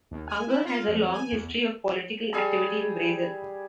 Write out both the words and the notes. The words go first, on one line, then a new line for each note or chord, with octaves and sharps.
Unger has a long history of political activity in Brazil.
D#2
G#5
E4
F4
F2
G#5
E2
G3 G#4 E6